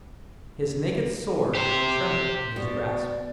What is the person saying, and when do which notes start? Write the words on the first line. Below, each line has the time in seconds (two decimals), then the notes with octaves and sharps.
His naked sword trembled in his grasp.
1.55 G4 C5
2.56 B2 D5